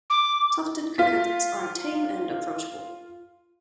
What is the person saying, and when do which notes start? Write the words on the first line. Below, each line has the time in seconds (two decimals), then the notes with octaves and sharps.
Tufted coquettes are tame and approachable.
0.10 D6
0.98 F4 B6